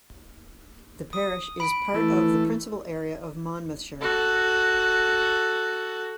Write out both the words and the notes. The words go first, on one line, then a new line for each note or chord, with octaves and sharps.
The parish is part of the principal area of Monmouthshire.
D#6
B5 D7
E3 A3
F#4 A4